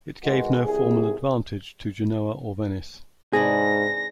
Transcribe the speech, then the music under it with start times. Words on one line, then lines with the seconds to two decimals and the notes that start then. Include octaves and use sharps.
It gave no formal advantage to Genoa or Venice.
0.24 B2 D#3 G#3 F#4
0.63 C2 G#4
3.33 G#2 C3 D4 G#4 B4 A#6